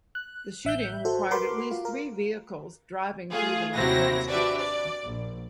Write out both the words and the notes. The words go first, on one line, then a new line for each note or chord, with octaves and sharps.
The shooting required at least three vehicles driving through the nighttime streets.
F#6
A1 E5 F#6 G6
F#4 A4 C5
F#4 A#4 B4 B5 C6 D6
F4
A#4
A3 F4 G#4
D#2 C3 F#3 C4 E4 A#6
D4 F#4 G4 B4 D5 E5
D5
A#1